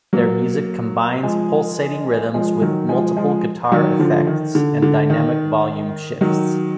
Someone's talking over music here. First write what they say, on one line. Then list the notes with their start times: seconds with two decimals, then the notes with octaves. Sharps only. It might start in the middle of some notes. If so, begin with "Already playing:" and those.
Their music combines pulsating rhythms with multiple guitar effects and dynamic volume shifts.
0.13 F#3 A#3
1.23 F3 G#3
2.34 F3 G#3
2.62 D#3 F#3
2.89 F3 G#3
3.17 F3 G#3
3.72 D#3 F#3
3.99 D3 F3
4.27 D#3
4.55 D3
4.82 D3
5.10 D#3
6.21 D#3 F#3